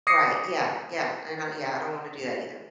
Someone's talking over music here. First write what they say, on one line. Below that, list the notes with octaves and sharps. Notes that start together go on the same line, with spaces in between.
Right. Yeah. Yeah. And I yea, I don't wanna do that either.
D6 D#6 A#6 C7 C#7